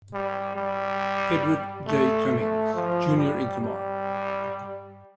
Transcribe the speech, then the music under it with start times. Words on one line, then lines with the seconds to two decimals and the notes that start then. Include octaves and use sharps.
Edward J. Cummings, Junior in command.
0.13 G3
0.56 G3
1.87 A3
2.31 A3
2.75 F3
3.17 G3
3.61 G3